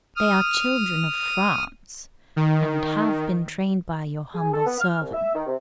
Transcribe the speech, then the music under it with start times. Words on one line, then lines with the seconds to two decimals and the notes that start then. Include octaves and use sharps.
They are children of France, and have been trained by your humble servant.
0.16 D#6 F6
2.36 D#3
4.34 G#4
4.53 A4
4.66 B3
4.79 F6
5.01 C2
5.13 E5
5.34 D#3
5.47 C3